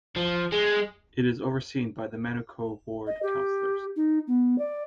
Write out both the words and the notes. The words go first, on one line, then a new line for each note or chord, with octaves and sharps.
It is overseen by the Manukau Ward councillors.
F3
G#3
D#5
G4
D#4
B3
D5